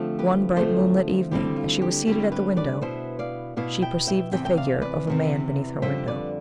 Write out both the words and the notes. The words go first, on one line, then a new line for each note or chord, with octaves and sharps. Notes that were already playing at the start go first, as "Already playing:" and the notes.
One bright moonlight evening as she was seated at the window, she perceived the figure of a man beneath her window.
Already playing: D3 F3 A3 C4
G4 B4
D3 F3 A3 C4 A4 C5
D2 D3 G3 C4 E4 G4
F4
G4
D2 D3 G3 C4 E4 G4
G4 B4
B4 D5
B2 B3 E4 C5 E5
D5 F5
B2 B3 E4 D5 F5
E5 G5
E5 G5
E2 C3 E3 E5 G5
G5
D5 F5
B4 D5
E2 C3 E3
F2 D3 G3 C5 E5
B4 D5